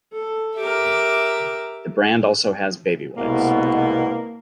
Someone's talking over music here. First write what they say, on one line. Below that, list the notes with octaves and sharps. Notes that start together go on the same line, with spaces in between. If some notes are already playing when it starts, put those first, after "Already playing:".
The brand also has baby wipes.
A4
G4 A#4 E5 D6
C2 G#2 B2 A#3